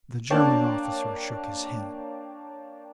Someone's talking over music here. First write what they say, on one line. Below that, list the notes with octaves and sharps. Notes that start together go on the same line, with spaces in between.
The German officer shook his head.
A#3 D4 C#5 G5 A5